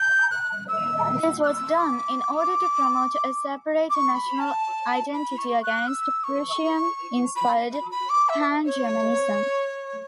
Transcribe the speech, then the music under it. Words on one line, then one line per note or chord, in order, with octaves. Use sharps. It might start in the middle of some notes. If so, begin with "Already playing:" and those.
This was done in order to promote a separate national identity against Prussian-inspired Pan-Germanism.
Already playing: G6
F#6
E6
F#6
E6
D6
D6
C#6
B5
A5
B5
C#6
F#6
E6
C#6
B5
B5
B5
D6
E5
C#5